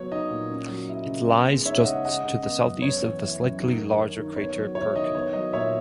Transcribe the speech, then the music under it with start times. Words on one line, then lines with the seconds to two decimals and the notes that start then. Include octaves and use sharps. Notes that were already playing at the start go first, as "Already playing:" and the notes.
It lies just to the southeast of the slightly larger crater Perkin.
Already playing: F#3 B3 C#5
0.12 D#4 D#5
0.30 A#2
0.49 C#4
0.69 F#3
0.89 E4
1.07 C#3
1.27 B3
1.47 G#3
1.66 D#4 C#5 E5
1.85 C#3 D#5 F#5
2.05 G#3 D#5 F#5
2.24 C#3 D#5
2.43 B3 D#5
2.63 F#2
2.82 B3 C#5
3.01 E3
3.20 E4
3.40 F#2
3.59 D#4
3.78 A#3
3.98 D#3
4.18 D#3
4.36 B3 C#5
4.56 F#3
4.75 E4 C#5
4.96 D#3 D#5
5.15 B3 C#5
5.33 F#3 D#5
5.53 A#2 C#5 E5